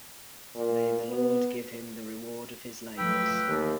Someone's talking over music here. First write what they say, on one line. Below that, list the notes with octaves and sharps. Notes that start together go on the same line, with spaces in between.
May the Lord give him the reward of his labors.
A#2
B3
F3 F#3 A3 B4 G5 E6
D#2 E3